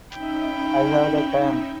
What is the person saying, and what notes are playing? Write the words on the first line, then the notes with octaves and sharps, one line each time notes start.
I have the time.
C#4 D#4 E5 G5 B5